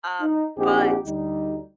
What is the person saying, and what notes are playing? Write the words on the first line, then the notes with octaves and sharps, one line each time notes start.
Um, but
D#4
A#1 C4 D#4 G4 G#4 F#5
D2 G3 D#4